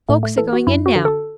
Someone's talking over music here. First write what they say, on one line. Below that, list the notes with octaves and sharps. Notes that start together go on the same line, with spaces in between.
Folks are going in now.
A2 A3
A3
E3 A4
F#4
F#2 E4
F#4
D3
A4